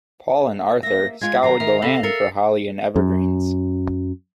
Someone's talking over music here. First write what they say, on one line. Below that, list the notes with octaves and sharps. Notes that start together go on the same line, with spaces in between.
Paul and Arthur scoured the land for holly and evergreens.
A#3 E5 A#6
G#3 F4 G#6
D#3 F#3 A#5 C7
D#3 E5 F7
C3 A4 F5 B5 A#6
A#4 E6 A6 C7 C#7
F#2